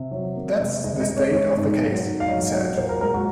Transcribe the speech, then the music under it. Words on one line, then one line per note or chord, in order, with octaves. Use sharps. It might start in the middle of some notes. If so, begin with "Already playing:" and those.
"That's the state of the case," he said.
Already playing: C3
F#3
A#3
C3
G#3 D#5
D#5
G#3
C#5
G#3 C#5
G#2
F#3
G#2
F5
F#3 D#5
F#3
A#2 C5
A#4
G#3 A#4
F#4